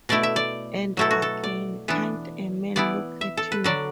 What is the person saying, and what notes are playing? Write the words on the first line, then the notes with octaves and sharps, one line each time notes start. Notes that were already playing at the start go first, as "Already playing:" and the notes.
And again, "Can't a man look at you?"
B2 A3 E4 D5
E5
D5
B2 F#3 A3 E4 A4
F#4
A4
D5
E3 B3 D4
E3 B3 E4 D5
E5
A4
B4
D3 F#3 D4 D5